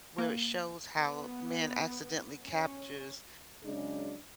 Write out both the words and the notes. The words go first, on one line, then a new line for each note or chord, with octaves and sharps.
where it shows how man accidentally captures
A#3
B3
C#4
C#3 F#3 G#3 D4 G#4